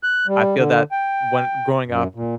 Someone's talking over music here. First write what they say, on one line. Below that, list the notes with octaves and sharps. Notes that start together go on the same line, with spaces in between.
I feel that when Growing up,
F#6
G3
D3
G5
F#2
A#2